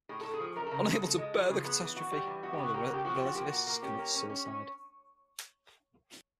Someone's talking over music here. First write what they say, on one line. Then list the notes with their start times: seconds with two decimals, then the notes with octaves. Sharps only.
Unable to bear the catastrophe, one of the relativists commits suicide.
0.09 A2 G#4
0.21 A2 A4
0.34 G#4
0.40 F3
0.56 F#2 A#4
0.66 A4
0.71 C#3 A#4
0.87 G#3 A4
1.03 C#3 A4
1.18 G#3
1.34 F3
1.49 C#3 G#4
1.65 B3
1.81 E3
1.96 E3 F#4
2.12 G3
2.27 E3
2.43 E2 F#4
2.53 G4
2.58 C#3
2.63 F#4
2.74 A#3 G4
2.84 F#4
2.89 C#3 G4
3.05 F3 F#4
3.15 G4
3.21 F3 F#4
3.35 A#3 G4
3.46 F#4
3.52 A#2
3.67 A#3
3.82 C#4 G4
3.99 A#3
4.14 C#4
4.30 C#4
4.45 C#4